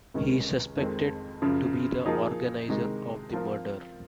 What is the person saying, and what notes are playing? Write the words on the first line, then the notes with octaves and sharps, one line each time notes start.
He is suspected to be the organizer of the murder.
C#2 C3 D#3 G#3 C#4
F2 D#3 G#3 C4
F#2 C#3 F3
F3 A#3 D#4 G#4
C3 D#3 G#3 D#4
F3 C4 F4 A#4